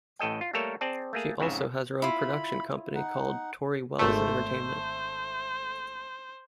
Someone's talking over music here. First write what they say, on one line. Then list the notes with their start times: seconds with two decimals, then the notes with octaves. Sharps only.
She also has her own production company called Tori Welles Entertainment.
0.19 A1 A2 A4 D#5 G5
0.41 F4
0.53 G3 A3 A#3 A4 A#4 C#5
0.81 C4 G#4 D5 A5
1.13 A3 A#3 G#4
1.40 F2 G#2 C#3 E5
2.02 E4 F4 B5
2.95 D#4 F#5
3.99 G#1 A3 C5